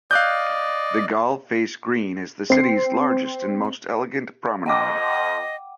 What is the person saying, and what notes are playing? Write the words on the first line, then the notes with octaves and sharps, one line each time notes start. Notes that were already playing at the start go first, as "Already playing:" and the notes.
The Galle Face Green is the city's largest and most elegant promenade.
D5 D#5 F5 F#6 G6
C4 C7
F2 D#5 F#5 G5 D6